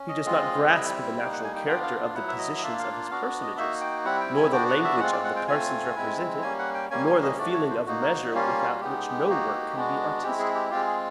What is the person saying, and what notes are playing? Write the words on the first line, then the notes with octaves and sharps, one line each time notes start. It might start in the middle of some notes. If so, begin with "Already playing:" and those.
He does not grasp the natural character of the positions of his personages, nor the language of the persons represented, nor the feeling of measure without which no work can be artistic.
Already playing: C#4
D#5
G#3 C4 F4
G3 C4 E4
G3 A#3 D#4 G5
F#5
G#5
G5
B3 D4 F4 G5
F5
F#3 B3 E4 F#5
E5
D#5
D#5
A#3 D4 F4 E5
F5
B3 D4 F#4 F5
D#5
A#3 D#4 F#4 E5
G5
G3 C4 E4 F#5
G5
G#5
B3 D4 F#4 G5
F#5
E5
G#3 C4 F4 F#5
D5
F#5
G5
A3 C4 F4 G#5
G#3 C4 E4
G3 A#3 C#4 G#5
F#5
G5
G3 A#3 C#4 G#5
G#5
D#5
A3 D4 F#4 D5
C#5
C5
A#3 D#4 F#4
A#4
G3 A#3 C#4 F4
F#4
G#3 B3 D#4 G4
A#3 D#4 F#4
G#3 B3 D4 F#4
G#3 C4 E4 G4
G#4
G4
G#3 C4 F4 G4
G#4